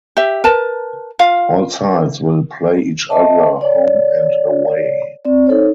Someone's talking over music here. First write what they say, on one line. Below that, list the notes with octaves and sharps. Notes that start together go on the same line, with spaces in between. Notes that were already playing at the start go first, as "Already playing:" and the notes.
All sides will play each other home and away.
G4 E5
A#4 B4 A5
F4 F5
D#5 E5 A5
C#5 D5
C4 D5
D#4 A4 C5 C#5